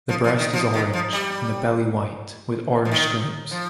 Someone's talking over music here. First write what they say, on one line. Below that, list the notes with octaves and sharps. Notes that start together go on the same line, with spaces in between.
The breast is orange, and the belly white with orange stripes.
F3
F3
D#3
F3
D#3
F3
G3
F3
D#3
F3